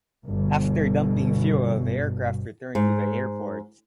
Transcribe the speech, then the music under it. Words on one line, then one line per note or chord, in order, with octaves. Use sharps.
After dumping fuel, the aircraft returned to the airport.
G1 B2
G#2